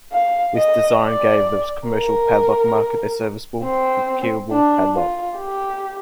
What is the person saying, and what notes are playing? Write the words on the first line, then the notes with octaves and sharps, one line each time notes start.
This design gave the commercial padlock market a serviceable, rekeyable padlock.
F5
D#5
D5
A#4
C4
D4
F4
G4